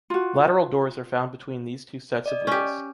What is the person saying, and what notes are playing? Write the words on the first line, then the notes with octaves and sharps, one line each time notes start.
Lateral doors are found between these two sets of wheels.
F4 F#4
D5 D#5
C#4 G4